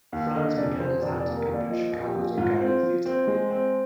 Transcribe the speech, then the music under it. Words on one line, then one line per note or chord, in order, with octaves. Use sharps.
Franz began his acting career at Chicago's Organic Theater Company.
D#2
D3 D#5
F1 D5
F1 C5
F1 D5
D5
D#2
A#4
D#2
D5
F3 D#5
A#1
G4
A#1
G#2 F4
C4
F3
C4
G#3
C4